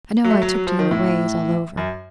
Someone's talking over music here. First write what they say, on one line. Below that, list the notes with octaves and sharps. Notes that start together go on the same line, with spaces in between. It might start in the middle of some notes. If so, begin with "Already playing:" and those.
I know I took to their ways all over.'
F#3
A3
F#3
F#3
F3
D#3
A2
F#2